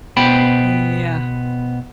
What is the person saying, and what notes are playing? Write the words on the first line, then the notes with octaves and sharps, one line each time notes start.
Uh, yeah.
B2 B3 C5 G5 B5